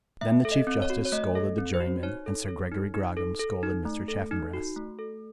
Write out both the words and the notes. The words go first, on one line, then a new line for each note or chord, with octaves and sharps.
Then the Chief Justice scolded the juryman, and Sir Gregory Grogram scolded Mr. Chaffanbrass.
A3 E5
A4
D#5
C4
C#5
F#4
C#5
A3 D#5
A4
C4
C5
F#4
D#4 C#5
A4
A4
D#4
D#4
A4
A4
D#4
A3
A4
D#4
F#4
A3
A4